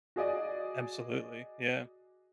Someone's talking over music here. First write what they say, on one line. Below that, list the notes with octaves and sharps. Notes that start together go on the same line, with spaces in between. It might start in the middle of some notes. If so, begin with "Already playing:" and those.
Absolutely. Yeah.
F#4 G#4 D5 D#5